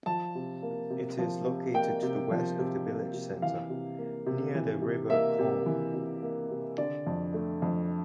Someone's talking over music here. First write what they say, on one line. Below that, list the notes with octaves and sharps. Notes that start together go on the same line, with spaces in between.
It is located to the west of the village centre, near the River Colne.
F3 A5
C3
A#3
C3
F3
C3
A#3 G5
C3
F3
C3
A#3
C3
E3 F5
C3
A#3
C3
E3
C3
A#3 E5
C3
E3
C3
A#3
C3
D3 D5
F2
A3
F2